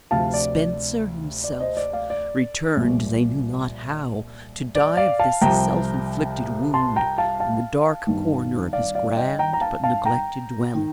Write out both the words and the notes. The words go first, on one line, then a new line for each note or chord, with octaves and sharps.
Spencer himself, returned they knew not how, to die of this self-inflicted wound, in the dark corner of his grand but neglected dwelling.
D2 C3 F3 F5 A5
D5
D5
D5
C5 D#5
D5
D5 F5
D5
C2 A#2 F3
D5
D5 F5
F5 A5
C2 C3 F3 G5 A#5
A5 C6
G5 A#5
F5 A5
F5 A5
G1 G2 D#3
D5 F5
D5 F5
D#5 G5
G5 A#5
A#5
F5 A5
F5 A5
G5 A#5
D#3